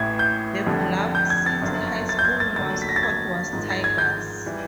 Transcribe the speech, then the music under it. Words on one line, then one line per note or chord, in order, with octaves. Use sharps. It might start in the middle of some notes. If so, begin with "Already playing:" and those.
The Bluff City High School mascot was Tigers.
Already playing: A1 A2 E3 G#6
G6
F1 F2 D3 G3
G6
G#6
A6
G1 F#2 D3
A6
G6
G#6
A6
F1 D#2 D3 F#3 A6
B6
A#6
A6
G#6
G#1 G#2 F3 G#3
A6
G#6
G6
E3 G3